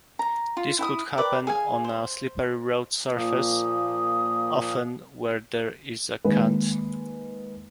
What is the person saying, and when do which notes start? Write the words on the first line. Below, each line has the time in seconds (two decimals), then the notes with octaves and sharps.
This could happen on a slippery road surface, often where there is a cant.
0.19 A#5
0.57 F4
0.79 E4 G5 D#6
1.18 A#4 B4 D5 G5
1.47 G#4 F5 G#5
1.84 C5
3.15 A#2 F3 A#3 D#6
6.25 D#3 G#3 A#3 B4